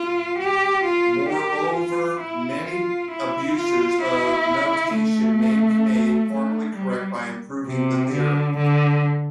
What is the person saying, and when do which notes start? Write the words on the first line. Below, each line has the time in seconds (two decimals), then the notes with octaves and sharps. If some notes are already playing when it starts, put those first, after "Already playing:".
Moreover, many abuses of notation may be made formally correct by improving the theory.
Already playing: F4
0.39 G4
0.85 F4
1.30 G4
1.75 F4
2.20 E4
2.66 F4
3.12 E4
3.57 F4
4.02 E4
4.93 A3
6.31 A3
6.75 G3
7.67 C3
8.12 D3
8.57 D3